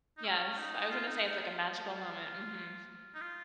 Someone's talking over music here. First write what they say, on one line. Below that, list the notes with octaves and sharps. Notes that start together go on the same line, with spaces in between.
Yes, I was gonna say it's like a magical moment, mhm.
D#4
C#4
D#4
F4
D#4
D#4
F4
F4
D#4
F4